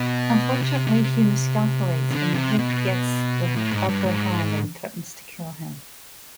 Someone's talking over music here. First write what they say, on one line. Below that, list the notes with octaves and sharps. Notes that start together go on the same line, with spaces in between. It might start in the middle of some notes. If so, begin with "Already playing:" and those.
Unfortunately he miscalculates and Lehiff gets the upper hand and threatens to kill him.
Already playing: B2
C3
C3
D3
C3
B2
A2
G#2
G2
G#2